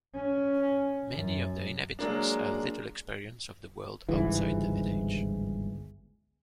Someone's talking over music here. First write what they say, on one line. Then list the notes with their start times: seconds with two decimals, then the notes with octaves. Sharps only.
Many of the inhabitants have little experience of the world outside the village.
0.15 C#4
1.12 F#2
1.99 F#3 G#3 A#3 D4
4.09 G1 C#2 G#2 E3